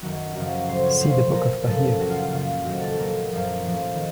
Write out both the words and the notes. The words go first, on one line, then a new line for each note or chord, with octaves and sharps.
See The Book of Bahir.
F#2 D#3 F#3 F#4
F#2 C#3 F3 F#4
A2 F#3 C5
C#5
A#2 F3 C5
A#2 F3 A#4
F#2 C#3 F3 A4
A#2 F#3 F#4
F4
F4
F#2 C#3 F#3 F4
F2 D#3 F#3 F#4
A4
A#2 F#3 A#4
F#2 F3
A2 F3
D#3